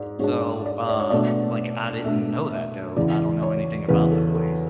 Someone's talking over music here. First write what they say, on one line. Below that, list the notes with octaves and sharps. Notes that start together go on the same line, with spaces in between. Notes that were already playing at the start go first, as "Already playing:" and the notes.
So, uh, like, I didn't know that, though, I don't know anything about the place.
Already playing: G#2 D5
G#2 G#3 D4 C#5
D5
D5
C#5
B2 A3 D4 D5
B2 A3 D4 E5
E5
E2 C#3 E3 D5
C#5
E2 C#3 E3 B4
A4
A4